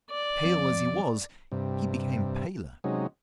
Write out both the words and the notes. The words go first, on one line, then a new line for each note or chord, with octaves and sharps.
Pale as he was, he became paler.
D5
F2
G2 C3
C3 F#3 G#3 C#4 D#4